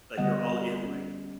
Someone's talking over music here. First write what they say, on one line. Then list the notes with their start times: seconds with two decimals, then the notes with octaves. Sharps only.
like, they're all in, like,
0.18 D3 G3 B3 D#5 F#5
0.85 C#4